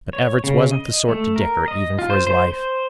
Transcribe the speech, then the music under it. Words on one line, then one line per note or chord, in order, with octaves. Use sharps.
But Everts wasn't the sort to dicker even for his life.
C#5
C#3
D#5
A3
A#4
D#5
F4
C5
C5
C5